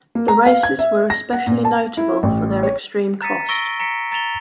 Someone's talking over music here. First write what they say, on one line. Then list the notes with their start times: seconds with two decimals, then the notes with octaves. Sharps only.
The races were especially notable for their extreme cost.
0.15 A#3
0.28 A#5
0.47 F5
0.63 G#6
0.79 E5
1.10 A#6
1.33 F#5
1.47 A#2
1.65 A5
1.97 E4
2.23 A1
2.63 C#5
3.22 A#5 A6 B6 C#7 D#7
3.49 C#6 E6 A#6 D7 G7
3.80 A#5 B6 C#7 D7
4.12 A#5 A6 E7 F7 G7